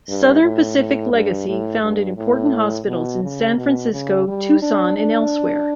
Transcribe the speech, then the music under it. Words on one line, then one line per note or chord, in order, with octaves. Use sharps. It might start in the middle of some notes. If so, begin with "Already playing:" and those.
Southern Pacific legacy founded important hospitals in San Francisco, Tucson, and elsewhere.
G2
A2
A2
G2
A2
G2
A2
B2
C#3
B2
C#3
G3
D4
D4